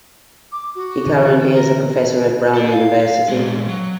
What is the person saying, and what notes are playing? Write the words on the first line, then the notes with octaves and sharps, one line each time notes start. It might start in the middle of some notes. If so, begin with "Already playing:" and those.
He currently is a professor at Brown University.
D6
F#4
D3 E3 D4
A#4
A4 D5
F5
F5
A#2 G#3
F#3